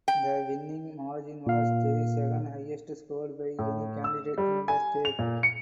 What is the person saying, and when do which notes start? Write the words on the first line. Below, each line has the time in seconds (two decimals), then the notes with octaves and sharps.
The winning margin was the second highest scored by any candidate in the state.
0.08 G5
1.47 A#2 F5
3.59 A2
4.04 E6
4.38 G3
4.68 G#5
5.05 F7
5.19 A#2
5.43 C#7